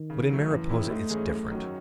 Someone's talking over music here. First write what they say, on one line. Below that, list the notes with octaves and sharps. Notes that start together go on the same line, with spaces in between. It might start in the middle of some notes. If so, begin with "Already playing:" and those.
But in Mariposa it's different.
Already playing: D#3
C#3
F#3 A3
F#2 E3
D#3 G#3 C#4 E4
G#2 A3
E3 G#3 C#4 G#4
F#2
D#3 F#3 C#4 F#4